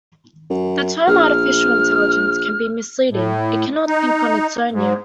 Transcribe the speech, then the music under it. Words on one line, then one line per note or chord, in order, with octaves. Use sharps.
The term Artificial Intelligence can be misleading, it cannot think on its own yet.
F#2
A#1 F6
A2
D#4
G#2